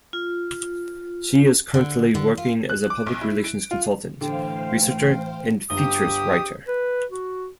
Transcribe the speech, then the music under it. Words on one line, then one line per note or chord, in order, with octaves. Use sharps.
She is currently working as a public relations consultant, researcher and features writer.
F4
D3
D3
F4
F#6
D6
B1
E4
D7
F4
A2 D3 E3 C5 F5 G5
G1 G4 D#6 G7
B4
F#4